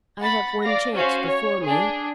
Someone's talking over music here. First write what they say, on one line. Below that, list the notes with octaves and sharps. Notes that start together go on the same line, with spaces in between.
I have one chance before me.
F#5 B5 A6
D5 F5 A#6
C#4 F#4 C5 F5
C#5
D4 G#4